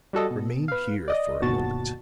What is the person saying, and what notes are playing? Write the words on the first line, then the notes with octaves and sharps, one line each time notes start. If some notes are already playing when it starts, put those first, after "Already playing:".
"Remain here for a moment."
G3 F#4 A4 D#5
B2
B4 F5
D5 D#5
G1 D#2 B2 F#4 A5 A6